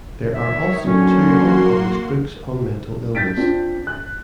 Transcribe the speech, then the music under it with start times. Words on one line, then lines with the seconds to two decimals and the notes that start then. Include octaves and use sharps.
There are also two unpublished books on mental illness.
0.33 D#3 C#5 E5
0.84 D3 F#3 A#3 C4 C#4 F#4 C6
3.15 G6 A6 B6 D7
3.37 C4 D4 F4
3.87 F#6